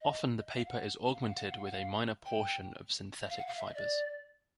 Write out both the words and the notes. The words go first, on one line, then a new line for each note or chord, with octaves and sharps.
Often the paper is augmented with a minor portion of synthetic fibers.
D#5
D#5
E5
F5
F#5
F5
F#5
F5
F#5
F5
F#5
F5
F#5
F5
G5
F5
F#5
F5
E5
D#5
D5